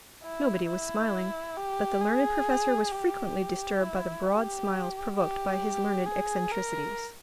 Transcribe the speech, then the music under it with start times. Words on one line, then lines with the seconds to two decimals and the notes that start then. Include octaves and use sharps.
Nobody was smiling; but the learned Professor was frequently disturbed by the broad smiles provoked by his learned eccentricities.
0.23 E4
0.67 E4
1.57 G4
2.02 G#4
2.91 G4
3.82 E4
4.26 G4
5.16 G4
6.06 G#4
6.51 A#4